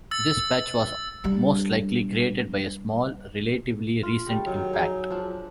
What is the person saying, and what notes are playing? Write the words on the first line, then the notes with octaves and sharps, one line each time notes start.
This patch was most likely created by a small, relatively recent impact.
E6 A6
G3 D4
F4
C#3 G3 A3
D#3 F#3 D#4
D#4 G#4 E5
F3 D4